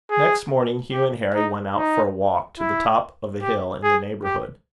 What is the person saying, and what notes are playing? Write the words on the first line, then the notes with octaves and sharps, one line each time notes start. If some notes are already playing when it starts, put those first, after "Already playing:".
Next morning Hugh and Harry went out for a walk to the top of a hill in the neighbourhood.
G#4
G4
D#4
D#4
E4
G4
G#4
G4